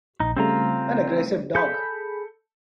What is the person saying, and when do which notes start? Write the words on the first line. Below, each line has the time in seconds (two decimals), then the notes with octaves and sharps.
An aggressive dog.
0.20 A#1 D#4
0.37 C#3 G3 A3 C4 F4 A#5
1.55 G#4 A4 B5 G6